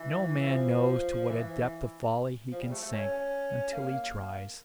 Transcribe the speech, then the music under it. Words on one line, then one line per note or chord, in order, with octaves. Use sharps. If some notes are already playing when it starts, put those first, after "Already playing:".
No man knows to what a depth of folly he can sink until he tries.
Already playing: E3
F3
E3
F3
G3
A3
A3
C#4
A#3